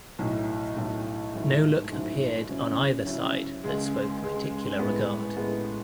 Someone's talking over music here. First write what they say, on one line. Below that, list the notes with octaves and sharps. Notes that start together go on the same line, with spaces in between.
No look appeared on either side that spoke particular regard.
B1 A2 F#3 A3 E4
B1 A2 F#3 A3 E4
A1 G#2 F#3 A3 E4
A1 G#2 F#3 A3 E4
C#3 F#3 C#4 E4
C#3 F#3 C#4 E4
C#2 C#3 G#3
C#2 C#3 G#3
A2 G#3 B3
A2 G#3 B3